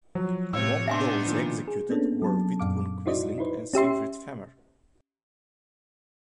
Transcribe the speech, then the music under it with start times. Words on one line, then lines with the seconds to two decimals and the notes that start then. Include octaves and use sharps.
Among those executed were Vidkun Quisling and Siegfried Fehmer.
0.15 F3 F#3
0.53 A2 C3 A3 C4 C#5 F5 E6
0.88 B3 D4 D#4 E5 G#5 C6
1.25 A#2 D#3 F3
1.68 G#4
1.89 A#3 B3 C#4 D4 A4
2.22 F#3 A5
2.59 F#2 A#2 F5 D6
3.06 D#4 E4 F#4 C5 D5 D#5
3.38 D#4 E4 B4 C5
3.74 C#4 G4 E5 C6